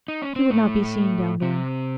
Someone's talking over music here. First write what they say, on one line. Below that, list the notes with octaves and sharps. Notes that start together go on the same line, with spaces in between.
He would not be seen down there.
D#4
C#4
C4
A2 A3
C3 C4